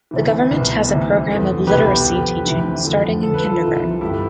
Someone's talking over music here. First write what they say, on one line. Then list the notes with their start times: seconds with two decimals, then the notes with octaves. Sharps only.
The government has a program of literacy teaching starting in kindergarten.
0.11 D2 C3 E3
0.51 C2 B2
0.88 D2 C3 E3
1.28 E2 D3
1.67 C2 B2 G4 B4
2.06 F2 D3
2.44 D2 C3 E3
2.85 F2 D3
3.23 D2 D3 A4
3.34 B4
3.44 F4 A4
3.62 C2 C3 E3
4.01 G2 D3 E4 G4